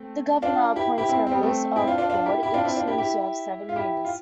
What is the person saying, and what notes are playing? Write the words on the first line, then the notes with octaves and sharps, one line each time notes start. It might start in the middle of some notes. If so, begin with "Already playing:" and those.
The governor appoints members of the Board, each of whom serve seven years.
Already playing: A3 C4
D4 F4
E4 G4
E4 G4
C4 E4
C4
G3 B3
A3 C4
C4 E4
D4 F4
D4 F4
D4 F4
E4 G4
E4 G4
D4 F4
C4 E4
D4 F4
E4 G4
E4 G4
F4
E4 G4
F4